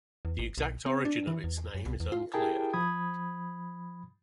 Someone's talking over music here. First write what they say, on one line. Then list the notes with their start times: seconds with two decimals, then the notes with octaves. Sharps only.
The exact origin of its name is unclear.
0.25 E2
0.39 A1
0.58 B1
0.86 C4
1.05 D4
1.27 E3
1.44 E2
1.75 F#2
1.86 C2
2.00 E2
2.12 F4
2.34 E4 G4 G#4 A#4 G5 A5
2.73 F3 B5 D#6 G#6